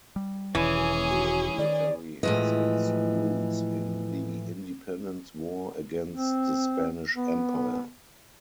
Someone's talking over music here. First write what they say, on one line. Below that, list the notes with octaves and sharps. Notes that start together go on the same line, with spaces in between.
The Colombian military has its roots in the independence war against the Spanish Empire.
G3
E1 B2 D#3 E3 C#4 G#4
F#4
D#3 D5
A2 E3 F3 G#3 D#5
C4
B3